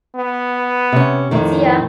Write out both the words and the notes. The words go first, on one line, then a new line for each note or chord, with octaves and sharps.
See ya!
B3
C3 C#4
F2 A2 D#3